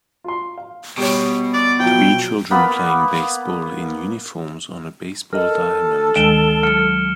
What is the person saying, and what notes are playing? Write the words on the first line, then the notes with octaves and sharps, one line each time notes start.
Three children playing baseball in uniforms on a baseball diamond.
F4 C6
F5
B2 G3 G4 C#5
D5
F3 F#3 E4 G5
A#3 B3 B5
A4 A#4 D#5 F6
D2 D#3 G#3 D7 E7 G7
F#3 F6 C#7